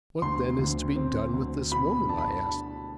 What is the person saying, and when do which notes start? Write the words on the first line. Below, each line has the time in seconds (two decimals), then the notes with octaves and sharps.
"What, then, is to be done with this woman?" I asked.
0.22 D2 C6
0.58 D2
0.96 C4
1.34 D2
1.72 B2 B5
2.09 D4 A5
2.18 B5
2.28 A5
2.46 D4